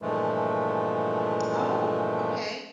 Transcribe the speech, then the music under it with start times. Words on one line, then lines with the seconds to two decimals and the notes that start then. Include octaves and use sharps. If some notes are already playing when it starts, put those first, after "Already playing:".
Oh, okay.
0.02 G2 A#2 E3 F3 G#3 A3